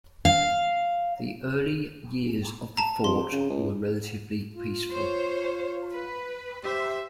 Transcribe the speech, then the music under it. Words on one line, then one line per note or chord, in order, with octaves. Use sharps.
The early years of the fort were relatively peaceful.
F5
A5 A#5
F2 C6
C#3
C#2
F4
C5 C#5
B4
G4 C5 E5